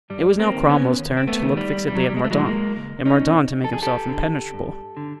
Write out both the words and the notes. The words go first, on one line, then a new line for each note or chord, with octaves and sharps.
It was now Cromwell's turn to look fixedly at Mordaunt, and Mordaunt to make himself impenetrable.
G2 G3
A#3 C4
D#3
B3 C#4
D#2
C4
A3 B3
D#3
G3
B1 G3
F#3
G3
G#3
A3
A2 E3 F#3 G#3
G#3 A#3
C#2
C#4 D#4
B2
F2 A4
G#4
G4 A4
D3
G2
D3